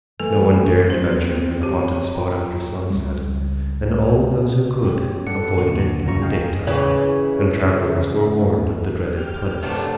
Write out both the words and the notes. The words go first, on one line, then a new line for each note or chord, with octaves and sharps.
No one dared to venture near the haunted spot after sunset, and all those who could, avoided it in the daytime, and travelers were warned of the dreaded place.
E3 A3 A#3 A4
C4 F4 C5
G4 C#5
F4 G5 A#5
C#2 G3
B3 C#4 G4
G2 A4 D5 F#5 C#7
D#2 A#2 D3 F#4
C#2 F3 F4 A#5 C#6
D#5 F5 G5 G#5
C#3 E3
G4 F6
C2 G2 C3 F#3 A3 D4 A4